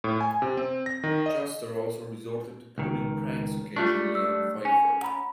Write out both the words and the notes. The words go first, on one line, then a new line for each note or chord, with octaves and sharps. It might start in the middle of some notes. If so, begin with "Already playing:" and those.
Juster also resorted to pulling pranks occasionally on Feiffer.
A2
G#5
C3
C4
A#6
D#3
D#5
C#2 D#3
G3 A3 D4 F4 C#6
E6
C#4 G#5
F#5 A#5 B5